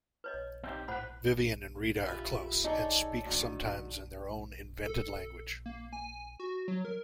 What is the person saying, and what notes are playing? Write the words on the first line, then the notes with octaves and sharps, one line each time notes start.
Vivian and Rita are close and speak sometimes in their own invented language.
B4 C#5 D#5
C4 D#4 G4
A2 B4 C5 F#5 B5
E3 F4 G4 B4 E5
D#4 G#4 A4 C#5 D5
D2 G#2 D3 D#3
A4
A#3
G#5
F#4
F#3
A#4